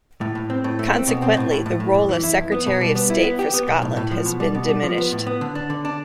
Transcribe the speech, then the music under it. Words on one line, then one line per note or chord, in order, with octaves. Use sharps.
Consequently, the role of Secretary of State for Scotland has been diminished.
A2
A2
C4
A2
A3
C4
B2
C4
A2
A2
A2
A2
F2
E3
E4
F2
B3
B2
G3
B3
E4
B3
G4
B3
B1
A2
A2
F3
B2
G3
B2
G3
F3
B3
A2
B3
D3
D4
D3
D4